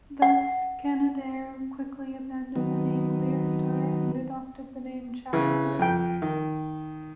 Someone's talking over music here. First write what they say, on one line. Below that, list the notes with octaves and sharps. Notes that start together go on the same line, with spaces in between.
Thus, Canadair quickly abandoned the name "LearStar" and adopted the name "Challenger".
F#5
D#3 F#3 B3
C#3 E3
F2 G5
D#3